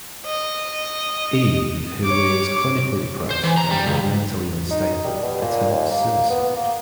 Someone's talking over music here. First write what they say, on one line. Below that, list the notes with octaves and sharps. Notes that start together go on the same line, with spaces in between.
Eve, who is clinically depressed and mentally unstable, attempts suicide.
D#5
C#5 D6
C5
E3
A#5
G3
C#2
D#4
G3
B2
A#2
D#2
A#3
B3
A#3